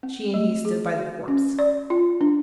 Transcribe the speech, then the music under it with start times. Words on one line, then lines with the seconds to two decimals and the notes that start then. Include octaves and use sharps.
She and he stood by the corpse.
0.03 C4
0.34 A3
0.65 G#4
0.96 F#4
1.28 C#4
1.59 D5
1.90 F4
2.21 D4